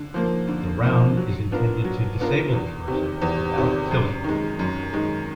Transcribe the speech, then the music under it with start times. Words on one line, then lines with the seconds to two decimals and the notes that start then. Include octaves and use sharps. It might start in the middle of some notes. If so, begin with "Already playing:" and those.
The round is intended to disable the person without killing them.
Already playing: D3
0.14 F3 A#3
0.48 D3
0.82 F3 A#3
1.17 F#3
1.51 B3 D4 F4 A#4
1.84 F#3
2.19 B3 D4 F4 A#4
2.53 E2
2.88 C3 D#3
3.22 E2
3.56 C3 D#3
3.91 F#2
4.24 D#3 G#3
4.59 F#2
4.93 D#3 G#3